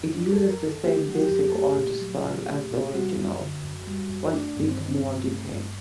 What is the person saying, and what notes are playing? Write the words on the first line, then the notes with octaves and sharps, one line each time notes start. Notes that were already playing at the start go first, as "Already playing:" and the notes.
It uses the same basic art style as the original, but with more detail.
Already playing: F#2
F#3 D4
A4
F#2
A#4
D#3
A4
A3 G4
F#3
F#4
G4
F#2
A4
A3 G4
A#2
F#3
A#2
A3
A#2
G3 F#4
F#2
D3
F#2
G3
F#2
A3 D4
G2
C4
D#3
C4
G2
A3
G2